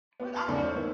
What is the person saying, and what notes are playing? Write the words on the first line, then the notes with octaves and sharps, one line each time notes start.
Well, I think
B3
A5 C6 F6
E2 G#2 C#3 G#3 A3 D4
G1 C5 C#5
D#3 A#3 B3 E4